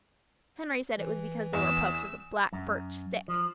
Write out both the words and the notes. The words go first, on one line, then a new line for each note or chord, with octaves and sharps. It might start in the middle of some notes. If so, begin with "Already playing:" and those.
Henry said it was because they were poked with a black-birch stick.
E3
E2 E6
F#2
F3